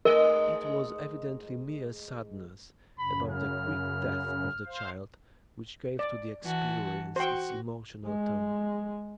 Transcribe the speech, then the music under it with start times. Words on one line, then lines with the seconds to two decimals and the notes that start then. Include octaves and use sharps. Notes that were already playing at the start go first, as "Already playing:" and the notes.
It was evidently mere sadness about the quick death of the child which gave to the experience its emotional tone.
0.05 G#2 A3 A#4 D#5
2.98 F#2 C#3 B5
3.31 F6
4.66 C5 F5
5.99 D5
6.43 E3 F#4 A5
7.16 F#4 C5 G5
8.05 G#3